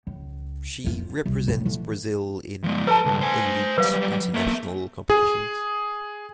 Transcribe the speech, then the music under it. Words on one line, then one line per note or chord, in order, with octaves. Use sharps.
She represents Brazil in elite international competitions.
C#2
F2 F4
C2
A2 F3
D3 E3
F3 G#3
A4 B4 A5 A#5
C#2 G2
C5 G#5
F#3 G3 B4 F5
A#3 E5
G#4